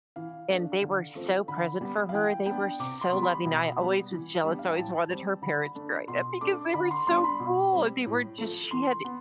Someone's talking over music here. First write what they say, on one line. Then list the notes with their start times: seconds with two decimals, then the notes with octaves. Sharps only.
and they were so present for her, they were so loving, I always was jealous, I always wanted her parents growing up because they were so cool, they were just she had
0.16 E3 F5
0.49 A3 D4
0.81 D3
1.15 F3 A3 C4
1.48 D3 B5
1.81 G3 B3
2.09 F5
2.13 E3 G5
2.46 B3 G5
2.51 D4
2.80 C3 D6
3.01 C6
3.12 G3 B3
3.23 B5
3.45 B2
3.78 G3 B3
4.11 E3
4.44 G3 B3 D4
4.59 F5
4.68 G5
4.76 A2 A5
5.10 G3 C4
5.42 D3 B5
5.75 A3 D4
6.08 B2 C6
6.41 A3 D4 D6
6.74 D3 B5
6.91 C6
7.07 G3 B3 D4 C6
7.24 B5
7.40 B2
7.72 G3 C4
8.06 A2
8.38 F3 A3
8.71 E3 C6
9.05 B3